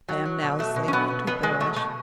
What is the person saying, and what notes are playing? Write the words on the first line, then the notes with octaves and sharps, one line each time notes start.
I am now safe to perish.
F#3
F#3
B2
F#3 A3
B2
C#4
F#3 B3
F#3
B2 B3
F#3 G#3
B2 A3
B2 A3